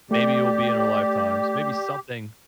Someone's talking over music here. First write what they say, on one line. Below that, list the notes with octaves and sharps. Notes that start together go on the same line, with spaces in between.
Maybe it will be in our lifetimes. Maybe something,
A3 G4 D5